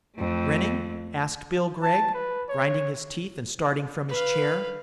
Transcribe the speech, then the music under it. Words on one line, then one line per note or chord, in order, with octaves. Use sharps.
"Grinning?" asked Bill Gregg, grinding his teeth and starting from his chair.
F2 A3
A5
B4
C#5
B4 F5